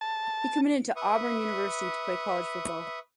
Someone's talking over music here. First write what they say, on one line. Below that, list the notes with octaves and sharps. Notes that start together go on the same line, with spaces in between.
He committed to Auburn University to play college football.
A5
B4 E5 C#6 D#6